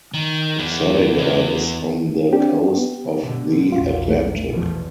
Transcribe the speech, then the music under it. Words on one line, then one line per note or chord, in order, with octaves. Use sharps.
Senegal is on the coast of the Atlantic.
D#3
E2
E2
C4 D4 G4
B3
B2 D3
A#1 E2 A#2 F4 F#4
A3
E2 B2 F3